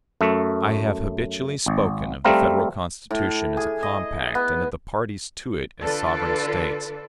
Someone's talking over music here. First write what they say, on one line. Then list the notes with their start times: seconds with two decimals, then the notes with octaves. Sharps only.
I have habitually spoken of the Federal Constitution as a compact, and of the parties to it as sovereign States.
0.21 F#2 A3
1.66 G#1
2.24 G3 A3 C4 F5 A#5
3.11 A2
3.57 G#4
3.83 D#5
4.35 B3
5.80 D3 F4 A4 B4 D5